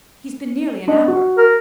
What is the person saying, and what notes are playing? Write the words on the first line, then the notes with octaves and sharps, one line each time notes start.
He's been nearly an hour.
D4 D#5
F#4
A#4